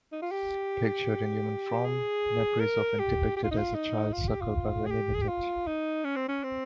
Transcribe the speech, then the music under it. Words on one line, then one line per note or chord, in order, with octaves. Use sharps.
Pictured in human form, Nepri is often depicted as a child suckled by Renenutet.
D#4
F4
G4
G#4
A#4
G4
G4
F4
D#4
F4
D#4
F4
G4
F4
G#4
G4
G#4
G4
F4
D#4
C#4
C4
C#4
C4